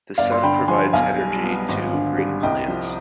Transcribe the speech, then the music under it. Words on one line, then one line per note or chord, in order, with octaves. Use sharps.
The sun provides energy to green plants.
G1 D5 F5
C6
D3 G5 B5
F3 G#5 C6
B1 F5 G#5
G3
B3
G#1
D3
G3
C2 D#5 G5
F3